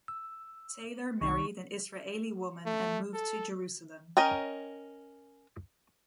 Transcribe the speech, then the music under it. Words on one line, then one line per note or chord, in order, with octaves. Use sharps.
Taylor married an Israeli woman and moved to Jerusalem.
E6
C2 D#3 D#4 C#6
A3
A4
C#4 A#4 D#5 G5